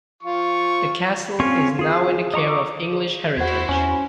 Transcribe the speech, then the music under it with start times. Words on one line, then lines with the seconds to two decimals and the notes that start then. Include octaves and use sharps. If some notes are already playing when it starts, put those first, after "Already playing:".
The castle is now in the care of English Heritage.
0.23 F3 F4 C#6
1.40 C4 C#4 F4 C#6
1.79 F4 G#4
2.34 D#5 A#5 C#6 D6
2.92 G#4
3.37 E2 E4 F#4 C5 F#5 G#6
3.69 E2 C#4